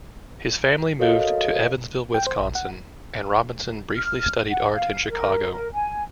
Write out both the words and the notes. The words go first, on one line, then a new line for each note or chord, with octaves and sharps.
His family moved to Evansville, Wisconsin, and Robinson briefly studied art in Chicago.
F#4 A4 A#4 C#5 D#5 F5
G5
C5
A#1
F#5
F6
F#5
F5
A#4
A#4
G#5